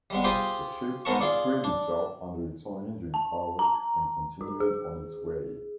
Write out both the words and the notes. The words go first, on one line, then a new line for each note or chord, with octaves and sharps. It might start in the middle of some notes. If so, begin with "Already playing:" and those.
The ship freed itself under its own engine power and continued on its way.
G3 G#3 B3
F4 G4 G#4 C5 D6 D#6
G#2 G#3 B3 A#4 A5 C#6
F4 G#4 D5
D4
A5
A#5
F#4
G#4